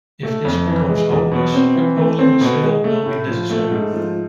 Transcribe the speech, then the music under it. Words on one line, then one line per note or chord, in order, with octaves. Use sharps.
If this becomes hopeless uphauling the sail will be necessary.
A3
F2
E3
G#3
E2
B2
C4
E3
A3
C4
B2
G#3
A3
A2
F3
A3
G#2
F3